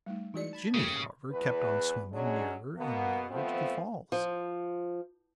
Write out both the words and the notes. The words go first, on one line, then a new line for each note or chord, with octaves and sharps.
Jimmie, however, kept on swimming nearer and nearer to the falls.
G3 A3 D#4
E3 G#3 D#4 F#4 D5 C#7
A5 B5 G#6
C#3 A3 A#3 G4
E2 B4
F#3 G#3 C#4 D4 G#4
B2 A#3 B3
F3 A3 B3 C4 F4
F3